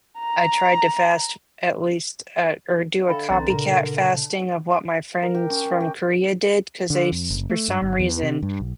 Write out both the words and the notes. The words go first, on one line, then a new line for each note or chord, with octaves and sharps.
I tried to fast, at least, uh, or do a copycat fasting of what my friends from Korea did, 'cause they s for some reason,
A#5
D3 A4 E5 F5 G5 B5
B1 E3 C4 C#5 A#5 C6 A6
A#2 C#3 A#4 A#5
C#5 A5
A#4
G4
C#4
C#4
G4
D3
F2
F#1
A3
G2
G1
E2
C3
G2
B1